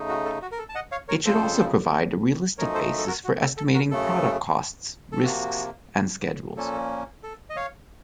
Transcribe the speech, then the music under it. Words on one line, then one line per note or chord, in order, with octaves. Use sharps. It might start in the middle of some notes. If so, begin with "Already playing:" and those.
It should also provide a realistic basis for estimating product costs, risks, and schedules.
Already playing: C#3 A3 D#4
F#4
A4
F#4
A#4
A4
A5
D#5 F#5
C#5 F5
A#4 C#5
F2 C#3 F3 A4 C5
F#2 F3 A3 D#4 A#4 C#5
A4 C5
A4
F#4 A#4
F#4
A4
A4
F#4 A#4
F#2 C#3 A3 A4
A4
C3 F3 A#3 F#4
A#2 F3 A#3 C#4 A4
A4
D#5
C#5 F5